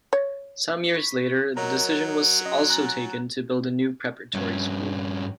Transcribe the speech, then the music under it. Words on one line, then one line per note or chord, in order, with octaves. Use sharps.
Some years later the decision was also taken to build a new preparatory school.
C#5
B5 C#6 B6
F#3 A#4 C#5 D#5 A#5
C#4 D#5 F#5 C6
G#5 A#5 F#6 A6
G2 C#4